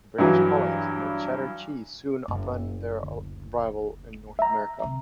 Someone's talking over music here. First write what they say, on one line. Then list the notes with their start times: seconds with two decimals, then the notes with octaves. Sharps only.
British colonists made cheddar cheese soon upon their arrival in North America.
0.18 G2 E3 F#3
2.28 F#1
3.04 D2
4.39 E5 A#5
4.83 C3